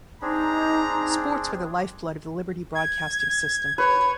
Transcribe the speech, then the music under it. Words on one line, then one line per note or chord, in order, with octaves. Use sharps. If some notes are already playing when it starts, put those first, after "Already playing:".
Sports were the lifeblood of the Liberty Broadcasting System.
C4 D4 D#4 G#4 A#5
G#6
B4 C#5